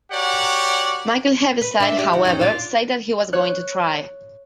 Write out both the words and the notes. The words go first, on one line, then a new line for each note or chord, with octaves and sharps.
Michael Heaviside, however, said that he was going to try.
F#4 G4 A#4 C#5 D5 F#5
B4
D4 E5
G4 D5
D#3 F#4
F2 C#4 D#4
D4 F4 D5
C#5 F#6